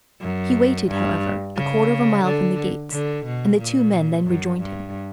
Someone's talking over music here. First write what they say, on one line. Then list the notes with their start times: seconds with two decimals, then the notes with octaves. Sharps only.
He waited, however, a quarter of a mile from the gates, and the two men then rejoined him.
0.21 F#2
0.89 G2
1.56 C#3
2.24 D3
2.92 D3
3.25 B2
3.59 A#2
4.27 F#2
4.60 G2